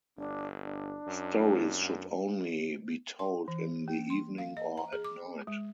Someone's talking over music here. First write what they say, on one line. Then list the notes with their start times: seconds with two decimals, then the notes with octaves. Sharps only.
Stories should only be told in the evening or at night.
0.17 G1 D4
0.62 D4
1.07 F#2
3.19 C6
3.48 E3
3.88 A#3
4.10 C6
4.38 F5
4.57 D#5
4.77 A#5
4.93 G#4
5.04 D6
5.47 G#3